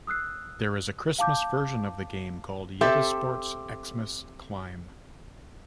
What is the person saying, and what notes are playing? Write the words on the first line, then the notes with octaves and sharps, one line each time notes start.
There is a Christmas version of the game called Yetisports Xmas Climb.
D#6 E6 F#6 C7
F5 A5 D6 G6
C4 G4 A4 E5